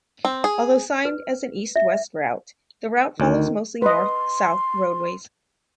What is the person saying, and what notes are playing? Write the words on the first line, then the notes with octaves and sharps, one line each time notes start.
Although signed as an east-west route, the route follows mostly north-south roadways.
C4
G#4
B4
E5
D2 D#3
B4 D#5 C6